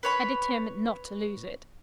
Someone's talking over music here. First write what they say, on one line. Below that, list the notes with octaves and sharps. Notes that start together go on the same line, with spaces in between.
I determined not to lose it.
B4 C#5 B5